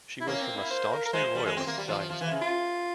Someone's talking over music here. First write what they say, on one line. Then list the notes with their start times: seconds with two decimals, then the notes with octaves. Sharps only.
She was from a staunchly Royalist dynasty.
0.21 E4
0.27 A#3 C#4
0.42 C4
0.56 E4
0.71 C5
0.92 A#4
1.06 A#4
1.13 G#3 C5
1.35 G3
1.46 G#3
1.57 C4
1.67 A#3
1.78 G3
1.88 F3
2.00 F3
2.10 F3
2.21 E3
2.31 C#3
2.42 F4